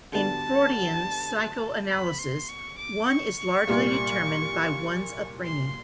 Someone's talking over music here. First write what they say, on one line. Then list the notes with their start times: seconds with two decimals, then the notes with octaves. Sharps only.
In Freudian psychoanalysis, one is largely determined by one's upbringing.
0.12 D3 G3 B3 D4 F#4 A5
1.90 B5
2.19 C6
2.48 C#6
2.78 D6
3.08 C#6
3.37 C#6
3.67 C2 A#2 G3 A#3
5.45 C6